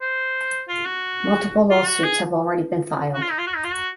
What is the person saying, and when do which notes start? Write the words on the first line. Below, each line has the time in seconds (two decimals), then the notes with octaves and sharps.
Multiple lawsuits have already been filed.
0.01 C5
0.69 F4
0.85 F#4
1.70 F4
1.87 F#4
2.04 G#4
3.14 F#4
3.22 F4
3.31 D#4
3.38 F4
3.47 F#4
3.56 D#4
3.64 F4
3.73 F#4